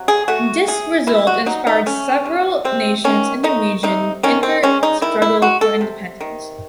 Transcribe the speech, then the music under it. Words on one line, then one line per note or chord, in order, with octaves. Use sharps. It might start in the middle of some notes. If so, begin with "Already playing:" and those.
This result inspired several nations in the region in their struggle for independence.
Already playing: C3 F#3
G#4
A3 F#4
C3 G#4
C3 E4
F#4
F#3 D#4
D#4
A3 C#4
C3
C3 C4
D#3 C#4
A3 D#4
C3 D#4
D#3 C#4
C4
G#3 C#4
D#4
D#3 E4
E4
G#3 F#4
A4
C3
D#3